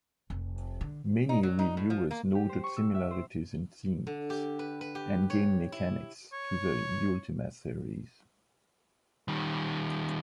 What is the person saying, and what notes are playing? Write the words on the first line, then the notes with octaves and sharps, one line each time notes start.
Many reviewers noted similarities in themes and game mechanics to the "Ultima" series.
F1
D3
D#4
F#3
D#4
A2
F3
A#3
G4
C5
C#6
E6
E5
C5
D3
G4
B4
B4
G4
C#5
E4
C#5
D#3 G3